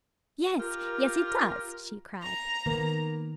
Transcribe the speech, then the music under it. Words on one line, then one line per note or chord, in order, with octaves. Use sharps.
"Yes, yes, he does!" she cried.
F4 G4 A#4
A#5
D#3 A#3 B3